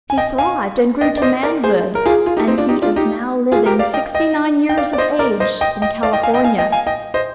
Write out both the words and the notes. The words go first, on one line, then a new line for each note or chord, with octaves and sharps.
He thrived and grew to manhood and he is now living, sixty-nine years of age, in California.
G#5
D#5 G5
F5 G#5
D#5 G5
D5
C5 D#5
A#4 D5
G#4 C5
A#4
F4 G#4
F4 G#4
D#4 G4
C4 D#4
D4 F4
D#4 G4
D4 F4
D#4 G4
F4 G#4
G4 A#4
D5 F5
D#5 G5
D#5 G5
G5
D5 F5
D5
C5 D#5
A#4 D5
C5 D#5
D#5 G5
D#5 G5
D5 F5
D#5 G5
F5 G#5
D#5 G5
F5 G#5
D#5 G5
F5 G#5
D#5 G5
C5 D#5